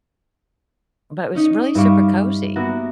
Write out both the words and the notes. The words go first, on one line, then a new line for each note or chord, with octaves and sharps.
but, it was really super cozy
C#4 D#4 D#5
G2 E4 B4 F5 C#6 D6
A#3 B3 E4 F#4